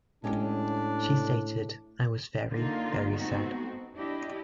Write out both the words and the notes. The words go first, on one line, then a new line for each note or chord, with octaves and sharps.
She stated, I was very, very sad.
A2 G#3 C#4 D4 G4
D3 A#3 D#4 F4
A3 B3 C4 D#4 F#4
D4 E4 G4 D#5